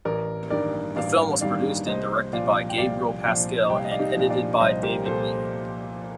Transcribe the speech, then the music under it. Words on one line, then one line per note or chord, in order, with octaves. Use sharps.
The film was produced and directed by Gabriel Pascal and edited by David Lean.
A1 A#4 D5
G2 D#3 G3 A#4 D5
A1 D5 F5
G2 D#3 G3 D5 F5
C2 C5 D#5
A#2 F3 D5 F5
G5
C2 D5 F5
A#2 F3 D5 F5
C2 G5
F5
D#5
D5 F5
D#4 G4
A#2 F3
D5 F5
C2 C5 D#5
G4 A#4
A#2 F3 A4 C5